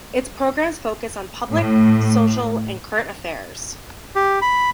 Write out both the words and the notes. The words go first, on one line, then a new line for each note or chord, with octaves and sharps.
Its programs focus on public, social and current affairs.
A2
G4
B5